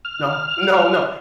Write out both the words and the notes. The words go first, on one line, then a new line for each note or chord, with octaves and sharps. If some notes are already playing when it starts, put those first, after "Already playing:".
No, no, no.
F6